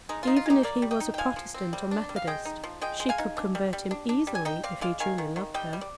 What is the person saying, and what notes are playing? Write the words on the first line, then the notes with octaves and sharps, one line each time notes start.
Even if he was a protestant or methodist she could convert him easily if he truly loved her.
G#3 D#4
D#4 F4
F4
G#3 D#4 G4
A#3 A#4 D5
G3
D#5 G5
D#4
G5
F3 F5 G#5
F3
C4
G3
D4
G3
F5
G#3 D#5 G5
D#4
F3
G#3 D#5 G5
G#3
F5 G#5
D#4
D4
G3
G3
D4
D4
G3
G#5
D#4 D#5 G5
C4 D5 F5
G#3 D5 F5
D#3 F5 G#5
D#3
D#3
G3 D#5 G5
G3
D5